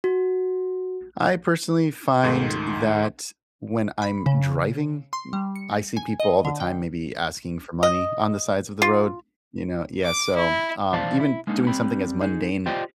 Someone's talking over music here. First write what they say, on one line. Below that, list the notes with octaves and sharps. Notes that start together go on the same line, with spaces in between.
I personally find that when I'm driving, m I see people all the time maybe asking for money on the sides of the road, you know? Yeah, so, um, even doing something as mundane
F#4
C#2 G#2 D#3 A3 C6
B5
C#3
C6
G3
C#7
G#5
D#5
D3
G5
D#5
F4
D6
E4
B1 E3 C5 D5 F5 A5
E4
G#3 A#3 D4 D#4
G3 C4 B5
D#4 G#4
F4 G4 C5 D5 D#5 G5